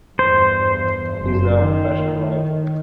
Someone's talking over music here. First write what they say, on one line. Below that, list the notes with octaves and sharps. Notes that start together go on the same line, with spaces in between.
He is now a professional writer.
E2 G2 C5
F#1
D#3